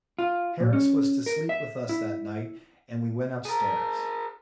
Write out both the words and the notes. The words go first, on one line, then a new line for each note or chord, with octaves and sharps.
Harris was to sleep with us that night, and we went upstairs.
F4
A#2
C#4
A#4
E5
E4
G#4 A#4